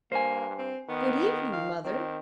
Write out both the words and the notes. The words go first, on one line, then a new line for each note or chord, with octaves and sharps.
'Good evening, mother.
G2 A#3 C5 G#5
C4
D#3 B3
F5
D#3 C4